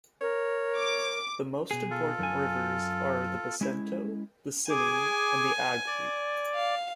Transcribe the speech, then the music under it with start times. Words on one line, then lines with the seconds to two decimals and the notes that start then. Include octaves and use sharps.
The most important rivers are the Basento, the Sinni, and the Agri.
0.21 A#4 C#5
0.78 D6
1.71 B2 G#4
1.91 F4 A4
2.19 F#2 G#5
3.61 G#3 C#4 E4
4.69 G#4 G#5 D6
5.87 D5
6.55 F5